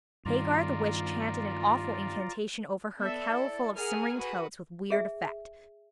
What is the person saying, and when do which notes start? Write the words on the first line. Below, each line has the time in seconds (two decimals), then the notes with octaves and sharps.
Hagar, the witch, chanted an awful incantation over her kettleful of simmering toads, with weird effect.
0.25 G2 D#3 F4 D5 A#5
2.97 B3 A4 D5 E5
3.31 E4
3.76 G#4 A#4 F#5 G#5 F6
4.17 F#4 B4
4.90 G#4 E5